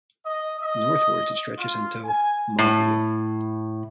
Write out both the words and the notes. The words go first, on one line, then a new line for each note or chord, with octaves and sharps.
Northwards, it stretches until Mauguio.
D#5
D#5
F4
G#5
A2